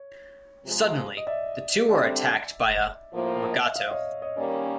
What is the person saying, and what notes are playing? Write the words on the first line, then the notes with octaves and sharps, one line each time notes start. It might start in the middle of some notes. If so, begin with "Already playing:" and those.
Suddenly, the two are attacked by a "mugato".
Already playing: C#5
C3 F3 G#3
D#5
D5 E5
D3 G3 C4 D5 E5
A2 F3 A#3
D#5
E5
D#5 F5
C#5 D#5
C#5 D#5
D#3 G3 A#3 C#4 D5